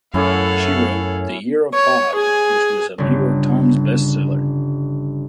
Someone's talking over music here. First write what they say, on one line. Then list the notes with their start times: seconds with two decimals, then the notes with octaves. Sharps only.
She wrote "The Year of Fog", which was a New York Times bestseller.
0.14 F#2 A2 C#4 E4 A4 F5 F#5
1.74 C#5
2.16 G#4 G#5
2.98 G1 C#3